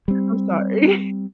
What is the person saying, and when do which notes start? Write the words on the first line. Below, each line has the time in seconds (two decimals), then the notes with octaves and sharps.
I'm sorry.
0.08 G3 C4